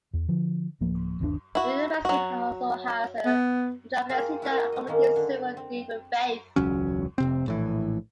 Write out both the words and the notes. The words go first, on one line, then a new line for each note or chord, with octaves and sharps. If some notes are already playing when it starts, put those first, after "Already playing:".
The university also has a Chaplaincy that accommodates several different faiths.
E2
D3 F3
D1 F3 A#3
G1 D#2 D#3 D4
E4 F#4
F#3 F#4
B3
C4 F4 G#4 A#4 C5 G5
E4 F#4 A#4 D#5
A3 D#5
D#3 G#3 A#3 C#4
D3
C4
E1 C#2 F#3 C#4
F1 C3 C4
A#1 A2 E3